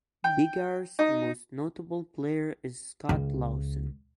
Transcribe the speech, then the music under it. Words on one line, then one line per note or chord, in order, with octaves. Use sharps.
Biggar's most notable player is Scott Lawson.
G5
D#4
C#2